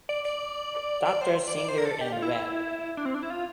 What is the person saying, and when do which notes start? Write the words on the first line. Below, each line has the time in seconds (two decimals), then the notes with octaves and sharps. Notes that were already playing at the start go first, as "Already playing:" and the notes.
Dr Singer and Rev.
0.09 D5
0.25 D5
1.05 D5
1.21 C5
1.48 D5
1.58 D5
1.69 C5
1.78 A#4
1.85 A4
2.01 G4
2.12 F4
2.22 E4
2.97 D4
3.05 C4
3.14 D4
3.22 E4
3.30 F4